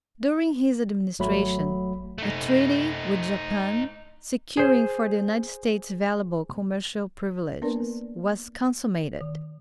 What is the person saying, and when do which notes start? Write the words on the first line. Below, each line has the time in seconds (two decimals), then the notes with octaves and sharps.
During his administration a treaty with Japan, securing for the United States valuable commercial privileges, was consummated.
1.19 G#1 F#3 A3 B5
2.18 A3 D#4
4.57 G#4 C5
7.62 A#3 B3 D4 A#4 B4 D5
9.21 D#3